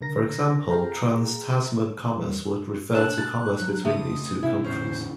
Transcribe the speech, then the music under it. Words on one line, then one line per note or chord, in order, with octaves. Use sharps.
For example, Trans-Tasman commerce would refer to commerce between these two countries.
C2 D3 A#4 A#6
G#4 F5 G5 A#5
E2 G3
D4 A5 F#6
A5
F#3
C#2 A3 C4 D#6
G2 C3 C4 E4
E2 A2 D3 C#4 C5